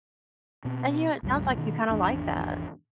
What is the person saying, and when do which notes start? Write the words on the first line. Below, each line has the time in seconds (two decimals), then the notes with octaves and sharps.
And, you know, it sounds like you kinda like that.
0.65 B2 C4
1.23 C2 F#2 G#3
1.57 B2 D#3
1.89 G#1 E2 D4